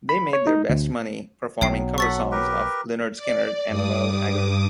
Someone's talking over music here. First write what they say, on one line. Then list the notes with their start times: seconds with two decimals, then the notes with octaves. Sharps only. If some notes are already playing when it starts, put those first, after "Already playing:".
They made their best money performing cover songs of Lynyrd Skynyrd and Merle Haggard.
0.09 B5
0.33 C#5
0.47 D#4
0.69 D2
1.61 B1 F#3 C#5 G5 C7
1.98 A4 F#5 C#6 A6 B6
2.32 G4 A#4 B4
3.15 D5
3.69 G2 D6 D#6